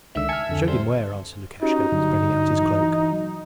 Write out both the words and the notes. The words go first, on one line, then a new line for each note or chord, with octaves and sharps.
'Showed him where,' answered Lukashka, spreading out his cloak.
C#2 D3 D#3 E5 E6
G#5 A5 F6 G#6 C#7
F2 D3
G3 C5
C#4 D#4 F#4 G4
G2 D3 F#3
E3 F#3